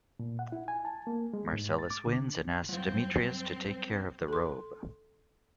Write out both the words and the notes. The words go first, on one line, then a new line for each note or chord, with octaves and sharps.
Marcellus wins and asks Demetrius to take care of the robe.
A#2
F#5
E4
G#5
A5
A#3
G#3
G#2
A6
D6
D3
F#2 F#3 G3 C4
A4 C6